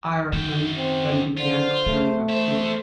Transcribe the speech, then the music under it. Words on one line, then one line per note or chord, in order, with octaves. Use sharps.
Ayrton then began clearing the tomb.
F#2 D#3 G5
C4
D3 F4 C5
A3 B3
E2 C5 E5